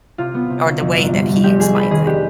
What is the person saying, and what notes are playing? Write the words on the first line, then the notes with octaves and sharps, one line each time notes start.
or the way that he explains it.
C3 F4
B3
C3
D2
F2
G1
G3
F2
F1 G4
F2 G#4
F1 B4
D#3 G#4
D4 G4